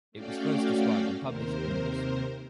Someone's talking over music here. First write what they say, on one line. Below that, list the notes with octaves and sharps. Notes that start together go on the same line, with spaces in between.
It was first described and published in Mus.
A3 C#4 F#4 D5 F5 G5
D#2 C3 A#4 C5